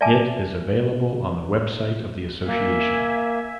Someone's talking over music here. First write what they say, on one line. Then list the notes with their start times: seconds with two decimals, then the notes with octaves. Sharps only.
It is available on the website of the association.
0.01 D5 E5 G#5 A5 D6
2.48 A#3 E5 G#5